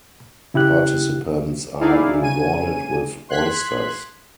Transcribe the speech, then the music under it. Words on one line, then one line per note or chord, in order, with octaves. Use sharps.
Participants are rewarded with oysters.
C#3 E4 G4 F#6
D#4 E4 G#4 D5 F5
C#3 G#5 D#7
C6 F#6 G#6 B6